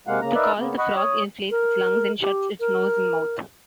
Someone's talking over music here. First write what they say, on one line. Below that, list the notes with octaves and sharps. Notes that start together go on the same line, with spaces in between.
To call, the frog inflates its lungs and shuts its nose and mouth.
C3 G#3 A#3 F5 F#5
C#3 A#3 A#5
D#4 A#4 B4 D5 E5 F5
C#3 A#3 B3
D#5 F#5 B5 C#6
C#5 D#6
A#4
G4
A#4